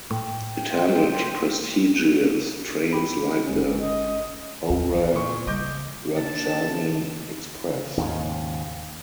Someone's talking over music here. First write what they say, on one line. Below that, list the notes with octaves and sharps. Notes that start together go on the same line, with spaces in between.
It handled prestigious trains like the Howrah Rajdhani Express.
A2 G5
C5
G4 B5
G1 G#3 C#4
D#5
E2 A2
E3
A#2 C#6
C#3 G3 D#5 D6 G6
A#3 D4 A5
D#2 G#2 C#3